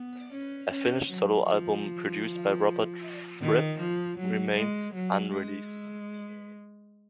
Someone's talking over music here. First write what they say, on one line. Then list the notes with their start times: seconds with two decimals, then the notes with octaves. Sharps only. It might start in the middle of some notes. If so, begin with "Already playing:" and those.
A finished solo album, produced by Robert Fripp, remains unreleased.
Already playing: B3
0.32 C#4
0.71 C#4
1.09 F#3
1.48 F3
3.41 D#3
3.79 F3
4.17 F#3
4.56 G#3
4.94 F#3
5.33 G#3